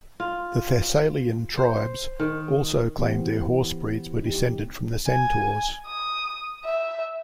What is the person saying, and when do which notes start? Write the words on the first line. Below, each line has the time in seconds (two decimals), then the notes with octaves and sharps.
The Thessalian tribes also claimed their horse breeds were descended from the centaurs.
0.20 F4
1.57 C5
2.20 D#3
2.97 C3 E3 B3 G4 C5
4.22 D#4 G4
5.07 G#5
5.86 D#6
6.65 E5